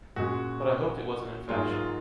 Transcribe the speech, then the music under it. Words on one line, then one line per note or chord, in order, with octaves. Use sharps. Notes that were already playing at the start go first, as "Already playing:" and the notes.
But I hoped it wasn’t in fashion.
A#2 G#3 C#4 F#4
G#2 F#3 A#3 F4 G#4
F4